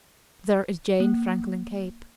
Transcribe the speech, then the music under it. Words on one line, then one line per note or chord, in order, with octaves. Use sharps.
There is Jane Franklin Cape.
A#3